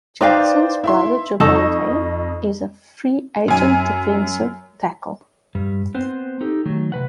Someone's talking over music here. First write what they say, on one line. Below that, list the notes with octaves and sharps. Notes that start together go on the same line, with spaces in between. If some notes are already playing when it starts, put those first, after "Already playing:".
Jackson's brother, Jervonte, is a free agent defensive tackle.
D#4 B4 C5 D5 F5 G5
E4 E5 C6
F2 D#4 A4 D#5 A5 C#6
F#2 G#5
G2 G3
B3 C4 C5
D#4 G4 A4
D#3 F#3 A3
C3 B4 F#5